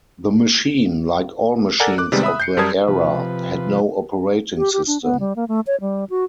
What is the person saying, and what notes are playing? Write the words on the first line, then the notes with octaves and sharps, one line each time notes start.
The machine, like all machines of the era, had no operating system.
A4 A#4 D5 F#5 G#5 A#5
D6 F#6
C3 D#3 G3 G#3 B3
E5 B5 D#6
G6 C7 C#7
F#2 G3 A#4 A5 D#6 G#6
C3 F3 B4
G4
G4
D4
B3
G3
A#3
A3
C#5
G3
F#4